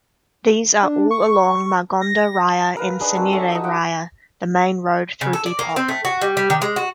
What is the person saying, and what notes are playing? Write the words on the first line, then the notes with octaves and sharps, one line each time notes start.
These are all along Margonda Raya and Cinere Raya, the main road through Depok.
D4
C#6
A#6
A#4 B4 F5
D4 D#4 G#4 B4
C4 F#4 A#4
A4 E5 C#6
D#4 D#5 E5
A4 E5 F#5 G5
C#3
A4
D5
A#3
C4
A3
F#4
G3
G3
D#3
G#3
F#4